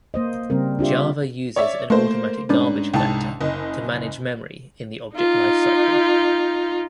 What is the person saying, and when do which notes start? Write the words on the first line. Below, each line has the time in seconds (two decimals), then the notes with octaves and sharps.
Java uses an automatic garbage collector to manage memory in the object lifecycle.
0.14 A#3 C5 D#5
0.50 C#3 G3 C4 A#4
0.79 D4 F4 G4 E5
1.56 C#5 D5 E5
1.90 A3 A#3 C5
2.49 G#2 C#4 D4 B4
2.94 C2 G#2 G5 A5
3.41 F#1 D#5
5.16 D#4 F4